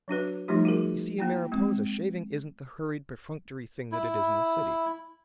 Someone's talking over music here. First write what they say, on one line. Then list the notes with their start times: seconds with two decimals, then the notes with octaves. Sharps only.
You see, in Mariposa, shaving isn't the hurried, perfunctory thing that it is in the city.
0.08 F#3 D4 F#4 B4
0.48 F3 G3 A3 D#4 F4 G4
0.65 F#4 G#4 A#4
1.18 A#3 E4 G5
1.52 G#3 C4
3.92 E4